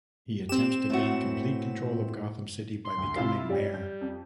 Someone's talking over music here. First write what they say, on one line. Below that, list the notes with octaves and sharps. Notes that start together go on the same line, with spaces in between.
He attempts to gain complete control of Gotham City by becoming Mayor.
C4 G4 E7
A2 A3 B3 F#4
C6
D2
C3 E4 F4
G3 C#4 G4
G6
F2